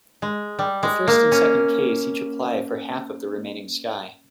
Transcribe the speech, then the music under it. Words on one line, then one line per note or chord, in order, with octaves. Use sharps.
The first and second case each apply for half of the remaining sky.
G#3
G3
G#3
A#3
C#4